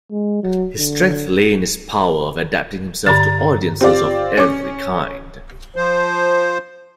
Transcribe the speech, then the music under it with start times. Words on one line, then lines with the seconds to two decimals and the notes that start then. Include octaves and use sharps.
His strength lay in his power of adapting himself to audiences of every kind.
0.11 G#3
0.43 F#3
0.79 D3
3.06 G2 D3 A#5 A6
3.81 C4 F4 G4 D5
4.38 C#4 C#5 C#6 D6
5.76 F3 C5